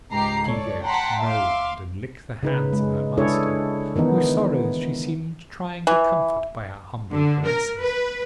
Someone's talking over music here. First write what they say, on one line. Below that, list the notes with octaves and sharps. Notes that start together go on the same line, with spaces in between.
The she-goat moaned and licked the hands of her master, whose sorrows she seemed trying to comfort by her humble caresses.
C#2 G#2 G4 A#5 C7
A4 C#5 D5
F#5 G5 A5 A#5 C6 B6
E5 F5 C6 D6
C#3 D#4 B4
G#3
G#3 D4 E4 G#4 A4 C#5
D#3 E3 B3 D#4
E3
D3
A#4
B4